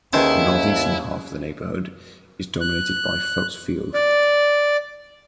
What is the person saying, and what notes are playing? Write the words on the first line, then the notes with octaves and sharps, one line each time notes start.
The northeastern half of the neighborhood is dominated by Felts Field.
D#2 D#3 C#4 E4 G#4 B4 C5 A5
F#6
D5